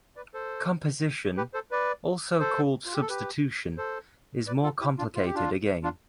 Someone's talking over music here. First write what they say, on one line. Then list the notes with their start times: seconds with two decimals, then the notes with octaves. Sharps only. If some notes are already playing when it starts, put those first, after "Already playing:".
Composition, also called substitution, is more complicated again.
0.16 B4 D5
0.34 A4 C5
1.37 G4 B4
1.54 A4 C5
1.71 B4 D5
2.40 A4 C5
2.86 F4
2.94 G4
3.01 A4
3.09 G4 B4
3.78 A4 C5
4.47 B4 D5
4.63 F4 A4
4.81 E4 G4
4.98 D4 F4
5.15 F4
5.26 G4
5.35 D4 F4
5.84 D4 F4